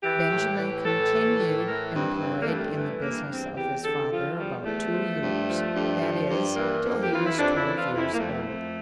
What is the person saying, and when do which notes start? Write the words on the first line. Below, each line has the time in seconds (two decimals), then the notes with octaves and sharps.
Benjamin continued employed in the business of his father about two years, that is, till he was twelve years old.
0.02 E3 G4
0.30 A2
0.57 E3
0.84 A2 A4
1.12 E3
1.38 A2
1.65 E3 A#4
1.93 G2 C4
2.20 E3 C4
2.41 A#3
2.47 G2 A3
2.74 E3 A3
3.01 G2 A#3
3.29 E2 C4
3.56 E2 G4
3.83 D3 A4
4.10 F3 F4
4.37 E2 G3
4.65 E2 A3
4.92 F3
5.20 G2
5.47 F3
5.74 G2
6.01 F3
6.28 G2
6.55 E3 A#3
6.82 F2
7.02 G4
7.10 E3 F4
7.25 E4
7.37 F2 D4
7.57 E4
7.65 E3
7.77 F4
7.92 F2
7.97 E4
8.13 A#3
8.18 F2 A3
8.46 F2